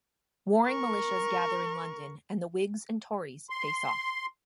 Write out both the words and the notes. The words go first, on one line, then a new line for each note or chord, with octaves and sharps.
Warring militias gather in London and the Whigs and Tories face off.
A#4 C#6
C6